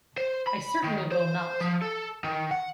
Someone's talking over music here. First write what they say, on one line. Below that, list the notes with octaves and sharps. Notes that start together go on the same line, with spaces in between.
I certainly will not!
C5
B5
D#3
C5
F3
A4
D#3
F#5